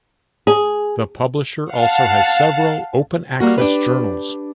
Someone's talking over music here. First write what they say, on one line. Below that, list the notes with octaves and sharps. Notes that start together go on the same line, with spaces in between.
The publisher also has several open access journals.
G#4
F5 F#5 A5
G3 A#3 F#4
D4 G4 B4